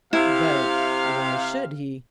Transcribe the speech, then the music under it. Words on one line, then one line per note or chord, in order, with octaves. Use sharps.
"But why should he?"
C3 E4 F5